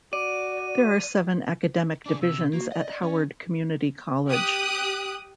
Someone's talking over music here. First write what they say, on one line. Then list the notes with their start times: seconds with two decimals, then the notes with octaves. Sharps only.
There are seven academic divisions at Howard Community College.
0.13 F#4 D5 D#7
2.06 D4 G#4 D6
2.21 C3 E6
2.53 A#3 F#4
2.72 D5 D#5
3.03 C#4
4.27 G4 D#6 F#6